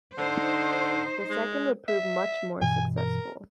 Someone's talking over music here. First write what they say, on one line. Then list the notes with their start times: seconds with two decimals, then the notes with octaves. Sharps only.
The second would prove much more successful.
0.18 D3 D#4 C5
1.30 G#3
1.88 E5
2.61 G2 B2 E3 G#5
2.97 A#4